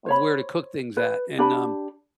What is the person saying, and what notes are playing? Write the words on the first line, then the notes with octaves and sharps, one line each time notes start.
of where to cook things at, and, um,
C5 C#5 B5
B4
D4 G4 B5